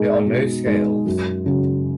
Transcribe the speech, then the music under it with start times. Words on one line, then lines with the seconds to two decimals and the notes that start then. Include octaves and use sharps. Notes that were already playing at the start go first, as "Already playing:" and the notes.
There are no scales.
Already playing: B2 G#3 D#4 G#4
0.27 B2
0.66 G#3 D#4 G#4
1.06 F#2
1.46 C#3 F#3